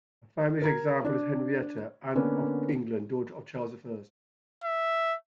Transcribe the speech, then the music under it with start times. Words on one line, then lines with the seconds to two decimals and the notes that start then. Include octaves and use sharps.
A famous example is Henrietta Anne of England, daughter of Charles the First.
0.62 A#4 A#5 G#6
1.05 D4
2.15 D3 A#3 B3 C#4 D4
4.64 E5